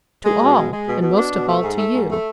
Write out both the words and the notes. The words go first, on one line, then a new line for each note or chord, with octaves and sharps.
"To all, and most of all to you."
G#3
B2
G#3
G#3
B2
B2
D4
B2
A3
G#2
A3
G#2
A3